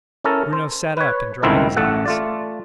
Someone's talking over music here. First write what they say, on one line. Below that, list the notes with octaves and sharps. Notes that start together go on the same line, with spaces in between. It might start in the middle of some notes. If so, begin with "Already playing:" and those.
Bruno sat up and dried his eyes.
C#4 E4 A4 A#4
C5
B4 C#5
G1 C#2 D#3 C4 E4 A4
A1 A3 A4 F#5
A3 F4 D5